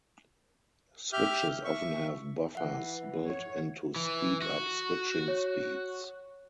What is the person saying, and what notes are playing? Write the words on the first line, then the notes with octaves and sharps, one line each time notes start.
Switches often have buffers built in to speed up switching speeds.
G4 E5 F6 G6
E5 C#6
E3 E5 F#5
C#5
E3
F#4
C#5